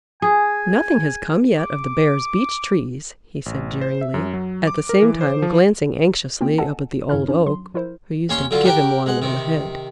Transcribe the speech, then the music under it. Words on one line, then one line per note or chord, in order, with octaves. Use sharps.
"Nothing has come yet of the Bear's Beech Trees," he said jeeringly, at the same time glancing anxiously up at the Old Oak, who used to give him one on the head.
G#4 G#5
D6
A1
C5
E5
F#2
F#3
D6
A#4
E3
C5
F3
A#3 C4 C#4 F4 G5
A4 D#5 F#5 G#5 A5
G2 D#3 E4 C#5 B5 F6
C#4 D4
F#3 C6
F3 E4 A#4 C5
D#2 C#4 C#5 G#5 C6
D3 F#3 F4
G4 A#4 F#5 G5
G#3 F#5
C3 D#3